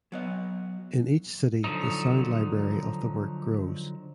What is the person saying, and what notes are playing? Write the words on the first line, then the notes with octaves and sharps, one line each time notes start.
In each city the sound library of the work grows.
F#3 B3 D#5
D3 F3 F#3 D#4